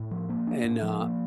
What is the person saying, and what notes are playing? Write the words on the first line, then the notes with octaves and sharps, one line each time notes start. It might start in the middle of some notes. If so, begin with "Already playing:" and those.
and, uh,
Already playing: A2
F3
A#3
D4
A2
F3
A#3